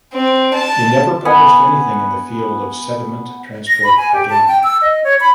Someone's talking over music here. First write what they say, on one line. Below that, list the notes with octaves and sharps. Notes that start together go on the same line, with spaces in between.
He never published anything in the field of sediment transport again.
C4
A5
B3 F#5 G#5 B5
A#6
B5
G#5
G4
A5
G5
E6
D#5
C#5
B5